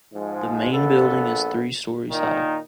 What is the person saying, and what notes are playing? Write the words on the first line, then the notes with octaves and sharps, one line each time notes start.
The main building is three stories high.
G#2 F3 G#3
A#1 B3 A4
A#2 D#3 D#4